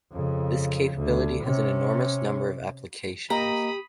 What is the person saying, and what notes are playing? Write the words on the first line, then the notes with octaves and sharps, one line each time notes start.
This capability has an enormous number of applications.
F2 C#3
D2
C3 C#4
A#3 G4 A#4 D#5 A#5 B5 D#6